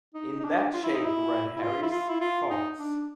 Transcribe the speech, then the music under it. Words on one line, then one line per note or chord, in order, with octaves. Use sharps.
In that shape ran Harry's thoughts.
D#4
D#4
D4
F4
E4
D#4
E4
E4
F4
E4
F4
E4
F4
D#4
D4